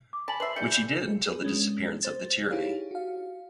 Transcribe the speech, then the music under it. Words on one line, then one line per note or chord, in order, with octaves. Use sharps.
Which he did until the disappearance of the tyranny.
D6
G#5 A5 B5 B6 F#7
B4 C5 E5 C7 F#7
E3 G3 G6 C#7
G#4 B4
G#3 C#4 D4
C5 A6
D#4 E4 G4 G#4 C#5 F5
F#4 F5